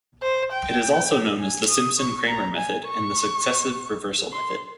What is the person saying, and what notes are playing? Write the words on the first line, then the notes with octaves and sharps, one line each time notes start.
It is also known as the Simpson-Kramer method, and the successive reversal method.
C5
G5
G#5
D#6
C#6
A#5
G#5
C#6
C6